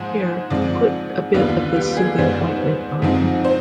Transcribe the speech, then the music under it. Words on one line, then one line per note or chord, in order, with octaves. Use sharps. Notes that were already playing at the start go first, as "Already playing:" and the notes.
Here, put a bit of this soothing ointment on.
Already playing: G#2 F3 G#3 C5
G#2 F3 C4 D5
D#2 D3 G3 B3 F4 B4
G4
G#4
G#2 G3 B3 D#4 C5
G#2 F3 C4 D#4
C5